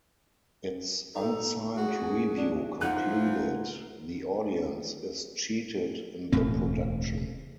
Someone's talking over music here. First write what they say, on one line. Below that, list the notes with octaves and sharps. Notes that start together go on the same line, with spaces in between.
Its unsigned review concluded: The audience is cheated in the production.
D#4 A4
F#4 G#4
D4
E3 F3 D#4 F#5 F#6 D#7
E1 D2 A2 C4